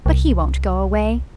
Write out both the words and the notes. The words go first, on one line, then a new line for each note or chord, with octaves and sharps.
But he won't go away.
C2